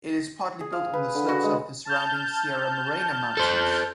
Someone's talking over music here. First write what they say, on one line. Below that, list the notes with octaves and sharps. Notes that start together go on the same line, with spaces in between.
It is partly built on the slopes of the surrounding Sierra Morena mountains.
G#4
F5
B4
D3
F#4
G#3
A5 F6 G6
A4 C5